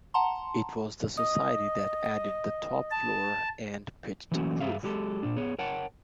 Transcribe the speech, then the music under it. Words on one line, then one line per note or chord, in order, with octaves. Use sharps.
It was the Society that added the top floor and pitched roof.
F#5 A5 A#5 C6
D#5 D#6
A5
E3 F#3 A3 A#3 C#4 F#4
G2 G3 G#4 E5 F5
F#3 G#3 G4 A4
A#2 D4
B3 G#4 C#5
A#4 C#5 F#5 G5 A5